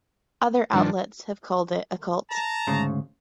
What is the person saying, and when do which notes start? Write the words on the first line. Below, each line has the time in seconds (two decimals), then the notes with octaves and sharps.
Other outlets have called it a cult.
0.73 G2 D#3 F3 D4
2.30 A5 A#5
2.67 D2 G#2 C#3